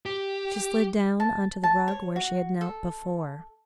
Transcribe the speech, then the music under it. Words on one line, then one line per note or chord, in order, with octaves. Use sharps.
She slid down on to the rug where she had knelt before.
G4
A5
A5
C#5
F#4
A4